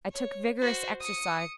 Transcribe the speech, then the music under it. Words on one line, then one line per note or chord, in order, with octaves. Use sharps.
I took vigorous exercise.
C#5
F#4 C5
D#6 C#7